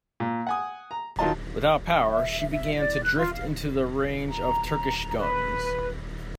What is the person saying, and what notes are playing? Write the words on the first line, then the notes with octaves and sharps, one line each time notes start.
Without power, she began to drift into the range of Turkish guns.
A#2
F#5 G#5 D#6
A#5
D#3 F#3 F4 D#5 A5
E5
E5
D5
F#6
F4
F5
A#5
B4